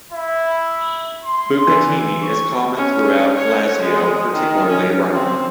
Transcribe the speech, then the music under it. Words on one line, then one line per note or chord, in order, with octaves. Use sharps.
Bucatini is common throughout Lazio, particularly Rome.
E4
C6
E3
C#6
C#4
C#5
G#3
D#3
C#4
C4